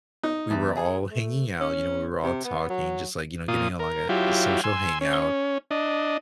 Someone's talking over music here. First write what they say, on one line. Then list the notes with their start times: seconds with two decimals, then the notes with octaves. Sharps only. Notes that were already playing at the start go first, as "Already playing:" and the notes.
we were all hanging out, you know, we were all talking just, like, you know, getting along at this social hangout
0.23 D#4
0.51 E2
0.77 G#4
1.10 A3
1.60 C#4
2.23 C3
2.45 B3
2.70 F#3
3.48 A#2 F4 D#6
3.79 A#4
4.09 F#3 E4 F4 G4
4.64 G#5 C6 E6
5.01 C#4
5.71 D4 D#5